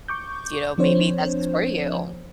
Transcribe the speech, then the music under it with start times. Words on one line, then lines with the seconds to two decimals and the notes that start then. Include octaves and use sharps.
you know, maybe that's for you.
0.08 C#6 D6 G6
0.78 F3 C4 D4 C5 C#5